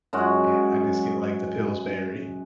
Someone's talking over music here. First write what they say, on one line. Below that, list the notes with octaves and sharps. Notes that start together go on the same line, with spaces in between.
And I just get, like, the Pillsbury.
F#2 G#3 F#4